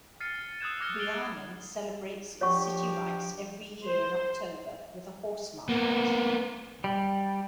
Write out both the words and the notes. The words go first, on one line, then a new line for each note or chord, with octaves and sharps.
Vianen celebrates its city rights every year in October with a horse-market.
F6 A6 C7 C#7 D#7
C7
D#6 E6 F#6 G#6 E7
D6 F6 G#6 A#6 C#7 G7
F#6 A6 D7 F#7 G7
F3 D4 F#4 G4 C#5 F#5 C#6
C5
A#3 B3
G3